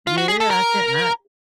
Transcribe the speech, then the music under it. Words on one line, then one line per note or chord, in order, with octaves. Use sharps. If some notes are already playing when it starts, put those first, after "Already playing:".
Yeah, I can't I
F4
F#4
G#4
A4
A#4